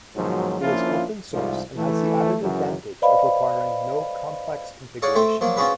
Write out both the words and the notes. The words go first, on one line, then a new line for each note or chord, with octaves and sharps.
It is open source and has the added advantage of requiring no complex configuration.
G#2 B2 D#3 F3 F#3
F3 A#3 C#4 D4 E4 F4
C2 G#2 F3
E3 A3
F#2 C#3 E3 F#3
B4 C5 D5 D#5 F5 B5
G#4 C#5 D5 F5 F#5
A3 C4 C5 G5
F3 F#3 A#3
C4 C#4 F4 F#4 G#4 B4